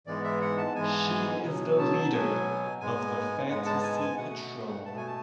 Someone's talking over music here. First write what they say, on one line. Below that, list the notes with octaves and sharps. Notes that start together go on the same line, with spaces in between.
She is the leader of the Fantasy Patrol.
G#2 E3 G#3 B3 D5
E5
F#5
A5
G#2 E3 G#3 B3 G#5
G#5
B2 F#3 B3
A5
B2 F#3 B3 G#5
G#2 G#3 B3 G#5
G#2 G#3 B3 F#5
A5
G#5
G#5
B2 A3 F#5
B2 A3 A5
G#5
A5